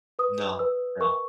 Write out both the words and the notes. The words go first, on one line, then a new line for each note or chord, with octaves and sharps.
No, no,
B4 D#6
B4 E6
A#4 C#6